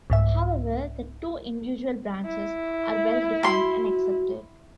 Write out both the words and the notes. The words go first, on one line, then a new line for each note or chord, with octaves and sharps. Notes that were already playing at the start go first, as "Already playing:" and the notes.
However, the two individual branches are well defined and accepted.
C2 G#2 E5
E4
F#4 B5 C6